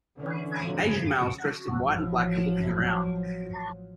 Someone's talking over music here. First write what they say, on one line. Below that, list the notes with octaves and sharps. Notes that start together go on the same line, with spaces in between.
Asian males dressed in white and black are looking around.
D3 E3 C#4
F2 A2 D3 F3 F#3
C#3
A1 F3 F#3